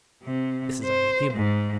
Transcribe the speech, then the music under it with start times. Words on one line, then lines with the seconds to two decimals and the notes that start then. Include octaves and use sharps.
This is only human.
0.24 C3
0.84 C5
1.34 G#2